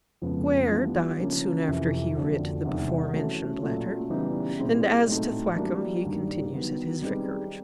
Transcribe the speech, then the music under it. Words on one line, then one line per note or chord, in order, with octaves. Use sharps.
Square died soon after he writ the before-mentioned letter; and as to Thwackum, he continues at his vicarage.
F2 C#3 F3 G#3 B3
E3 G3 B3 D4 F4
C#3 F3 A#3 C#4
F2 C3 E3
F2 D3 F#3 A#3
E2 C3 D#3 G3
E3 A3 C#4 F#4
A#2 F#3 A3 C#4 F4
C#3 E3 G3 B3 D#4
A#2 G3 C4 E4 G#4
A2 F#3 A3 C4 D#4
E3 G3 A#3 D4 F#4
G2 D#3 G3 A#3
D#3 F#3 B3
G3 C4 D#4 G#4 B4